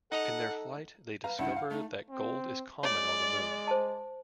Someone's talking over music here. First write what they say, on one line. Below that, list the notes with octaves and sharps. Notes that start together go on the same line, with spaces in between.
In their flight they discover that gold is common on the moon.
D#4 A4 D#5 F#5 A#5
B4 F5 A#5
C#2 G2 E4 F#5
F5
A3 D#4
C4
G#3 C#5 D5
C5 A5